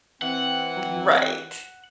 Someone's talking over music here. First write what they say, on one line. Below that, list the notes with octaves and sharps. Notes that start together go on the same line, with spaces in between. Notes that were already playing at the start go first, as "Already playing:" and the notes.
R right.
E3 C4 F#5